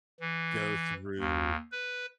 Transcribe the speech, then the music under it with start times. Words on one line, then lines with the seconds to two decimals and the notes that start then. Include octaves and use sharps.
go through
0.20 E3
1.19 D#2
1.72 B4